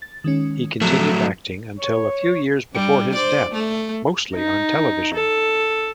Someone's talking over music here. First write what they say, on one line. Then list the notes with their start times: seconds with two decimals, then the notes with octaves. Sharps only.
He continued acting until a few years before his death, mostly on television.
0.02 A6
0.24 D#3 G#3 C#4
0.82 F3 F#3 A3 C4
1.79 C#5
2.73 G2 G3
3.15 C5 D5
3.51 A3
4.35 D#4
5.14 A4